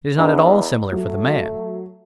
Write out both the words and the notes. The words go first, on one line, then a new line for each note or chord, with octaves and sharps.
It is not at all similar for the man.
E2 D4 D#5 A#5
F#3 A3